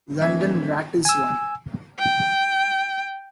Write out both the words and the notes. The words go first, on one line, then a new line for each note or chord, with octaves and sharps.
London rattles one.
D#1 E3 E5 G#6
G#5 E6
G5